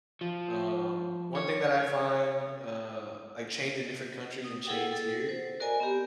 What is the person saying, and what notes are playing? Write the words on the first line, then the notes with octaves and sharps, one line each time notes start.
Um, one thing that I find, uh like, chains in different countries and chains here
F3
C#5
D#6
E4 G#4 A4 F#5 G5
A4
C5
F#4 A#4 D5 D#5 G#5 A#5
B3 C4 G4